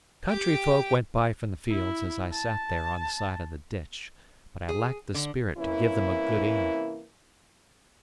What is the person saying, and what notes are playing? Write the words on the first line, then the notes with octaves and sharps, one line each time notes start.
Country folk went by from the fields as I sat there on the side of the ditch, but I lacked the spirit to give them a good-e'en.
G4 G5
E4
A5
G#4
D3
C3 E3 A#3 C#4 E4